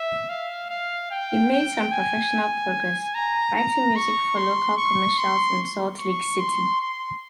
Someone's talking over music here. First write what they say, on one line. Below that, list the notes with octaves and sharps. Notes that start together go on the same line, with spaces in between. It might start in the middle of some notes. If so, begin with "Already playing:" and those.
He made some professional progress writing music for local commercials in Salt Lake City.
Already playing: E5
F5
F5
G5
G5
G#5
A#5
A#5
C#6
C6
C#6
C6
C#6
C6
C6